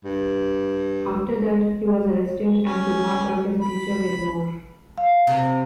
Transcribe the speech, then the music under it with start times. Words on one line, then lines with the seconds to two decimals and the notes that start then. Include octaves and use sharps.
After that he was arrested and could not work as a teacher anymore.
0.05 G2
2.63 C#4
3.61 B5
4.98 F5
5.27 C3